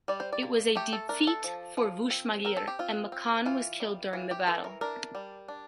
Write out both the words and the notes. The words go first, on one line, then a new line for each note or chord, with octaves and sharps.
It was a defeat for Vushmagîr and Makan was killed during the battle.
G3 D5
C5
D5
A#3
A3 G4
A4
D4 A#4
A4
F3
F3
C4
C4 A#4
A4
G4
C4 F4
C4
E3 F4
G3
E3 F4
G4
E3 A4
A#4
D4 A#4
G3
D4